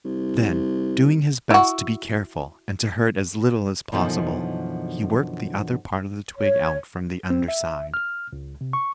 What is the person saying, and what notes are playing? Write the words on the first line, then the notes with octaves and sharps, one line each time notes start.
Then, doing his best to be careful and to hurt as little as possible, he worked the other part of the twig out from the under side.
C2
E4 F#4
F#2 B2 D3 E3 F3 D#4
C#5
C4
E5
F6
C#2
C3
C#6